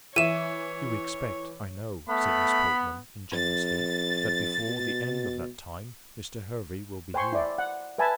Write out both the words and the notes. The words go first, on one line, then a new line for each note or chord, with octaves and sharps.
"You expect, I know," said Miss Portman, ingenuously, "that before the end of that time Mr. Hervey will be here."
E3 C#5 E5 D#7 E7
A3 B3 B5
F2 A6
B2
C5 G5 G#5 C6 C#6
E4 D5
F#5
B4 E5 G#5 A5 B5